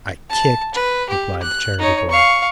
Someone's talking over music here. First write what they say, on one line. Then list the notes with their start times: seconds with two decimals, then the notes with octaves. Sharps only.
'I kicked,' replied the charity-boy.
0.30 A5
0.74 B4
1.10 G4
1.43 F#6
1.79 D#4 C#5
2.10 F5 C#6